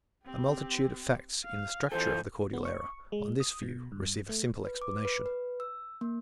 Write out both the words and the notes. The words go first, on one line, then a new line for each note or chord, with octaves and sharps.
A multitude of facts in the structure of the Cordillera, on this view receive a simple explanation.
C4 G4
F5
E3 F4 A4 C5 G#5
B3
C#6
G#3
D#6
B2
G2
A3
B4
D6
B4
B4
E6
A#3